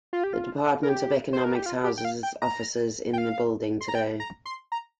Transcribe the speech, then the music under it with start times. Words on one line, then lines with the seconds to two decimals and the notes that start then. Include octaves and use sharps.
The Department of Economics houses it offices in the building today.
0.13 F4
0.24 G4
0.33 F4
0.83 A#4
0.89 G4
1.33 C5
1.44 A#4
1.55 G4
1.66 F4
1.84 G4
1.98 G5
2.05 F5
2.23 G5
2.42 A#5
3.13 G5
3.18 F5
3.81 C6
3.88 A#5
3.95 G5
4.20 A#5
4.46 C6
4.72 A#5